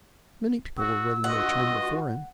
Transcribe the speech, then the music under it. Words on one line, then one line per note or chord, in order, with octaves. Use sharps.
Many people were waiting their turn before him.
F#4 E6
G2 F4 F#4 D#5 F#5